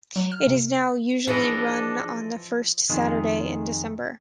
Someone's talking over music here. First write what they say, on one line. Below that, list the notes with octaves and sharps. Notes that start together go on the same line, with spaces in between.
It is now usually run on the first Saturday in December.
F#3
F6
C3
E3 F3 D4 E4 G#4 A4 C5 D#5
F2 D#3 G#3